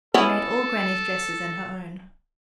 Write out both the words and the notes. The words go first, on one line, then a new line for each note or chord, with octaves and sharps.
She made all grannie's dresses and her own.
B3 C#4 E4 A4